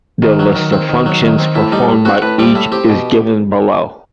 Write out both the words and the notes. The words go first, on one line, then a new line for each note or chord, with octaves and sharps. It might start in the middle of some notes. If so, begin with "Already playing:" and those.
The list of functions performed by each is given below.
D#3
F#3
D#3
C4
D#3
F#3
D#3
C4
A2 E4
G3 D#4
A2
C4 F#4
A2 B4
G3 C4
A2 E4
C4 G4
B2